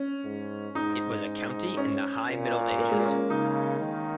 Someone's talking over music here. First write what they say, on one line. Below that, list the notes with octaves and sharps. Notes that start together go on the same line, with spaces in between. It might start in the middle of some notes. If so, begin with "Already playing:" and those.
It was a county in the High Middle Ages.
Already playing: C#4
G#2
G#2 D#4
C#4
A#2
A#3
G#3
A#3
C#4
C#3 D#4
D#3